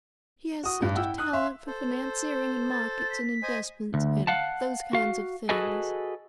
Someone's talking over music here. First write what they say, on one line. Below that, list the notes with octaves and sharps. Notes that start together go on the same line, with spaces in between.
He has such a talent for financiering and markets and investments and those kind of things.
F#4 D#6
A1 G2
E4 F#5 G5 E6
D#6 F#6
E5 F5 C6
A4 C5
A6
B6
C5 D#5 G#5
D2
F5 F#5 A5
F#4 F5
F#4 G#4 A4 B4 D#5 G#5